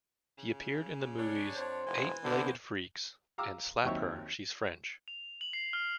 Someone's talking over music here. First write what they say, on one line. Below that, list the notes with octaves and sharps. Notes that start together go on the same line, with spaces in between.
He appeared in the movies "Eight Legged Freaks" and "Slap Her... She's French".
C#3
D4 C#5
F2 C5
F1 E3
D3 A#3 B3 C5
F5 A#5 D6 E6 F6
D#2 F#3 C4 D#4 C#5 E5
F7
F#7
C7
F6